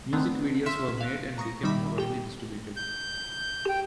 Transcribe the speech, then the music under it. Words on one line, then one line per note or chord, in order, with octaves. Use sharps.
Music videos were made and became more widely distributed.
D3 D#3 A3 B3 C4
E5 C6 E6 F6 B6 E7
F5 F#6
A#5 C#6 D#6 A#6
D#3 G3 D#4 E5 B5 D6
G5
G6
G5